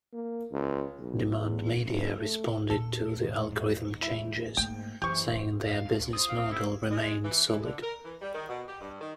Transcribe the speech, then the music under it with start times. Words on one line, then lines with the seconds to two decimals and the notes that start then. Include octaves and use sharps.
Demand Media responded to the algorithm changes, saying their business model remained solid.
0.13 A#3
0.52 C#2
0.99 B1
1.38 E2
1.84 F#1
2.18 A3
2.70 E2 A#2 A4
3.20 G#2
4.03 E4
4.57 A3 A#3 G5
5.02 F#2 E3 G4 C5 C#6
5.65 F#2 F5
5.86 G2
6.00 C#2
6.13 C4 F4 C5 D#6
6.29 F5
6.51 E4 A4
6.90 G#3
7.23 E3
7.50 E3
7.64 D3
7.81 A#4
8.03 E3
8.20 G3
8.34 D#3
8.49 B2
8.68 G4
8.81 G2
9.01 D#3